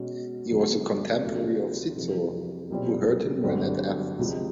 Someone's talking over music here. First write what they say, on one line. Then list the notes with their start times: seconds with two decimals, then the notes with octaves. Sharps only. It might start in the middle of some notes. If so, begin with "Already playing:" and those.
He was a contemporary of Cicero, who heard him when at Athens.
Already playing: B2 G#3 C#4
0.49 D3 F#3 B3
1.22 D2 C3 F3 A3
1.96 F2 C3 E3
2.70 B1 A#2 G3 C4
3.44 G1 F#2 D3 G3 C4
4.18 C#2 C3 F3 G#3